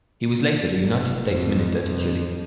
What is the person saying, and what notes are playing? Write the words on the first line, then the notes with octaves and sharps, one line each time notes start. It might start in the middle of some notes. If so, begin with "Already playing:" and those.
He was later the United States Minister to Chile.
G1
F2
F2